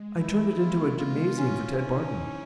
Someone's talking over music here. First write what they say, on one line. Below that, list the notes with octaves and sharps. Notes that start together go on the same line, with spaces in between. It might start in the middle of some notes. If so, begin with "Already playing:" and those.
I turned it into a gymnasium for Ted Barton.
Already playing: G#3
A#3 E4
B3 F4
D#4 F4
C#4 E4
C#4 D#4